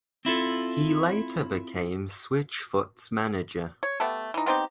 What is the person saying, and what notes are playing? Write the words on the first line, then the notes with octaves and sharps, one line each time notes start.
He later became Switchfoot's manager.
C4 E4 F4 A4
C#5
A3 B3 G4 A4
E3 D#4
B3 C4 D#4 G4